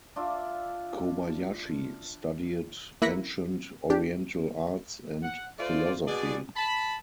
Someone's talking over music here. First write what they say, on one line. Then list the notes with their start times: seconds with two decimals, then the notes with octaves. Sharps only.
Kobayashi studied ancient oriental arts and philosophy.
0.16 D4 F4 D5 E5
3.02 A#3 E4 F#6 A#6 B6 C#7
3.90 D4 G4
5.23 F#5
5.58 A3 F4 C5 D5
6.07 B2 G#4 D5
6.56 A5 B5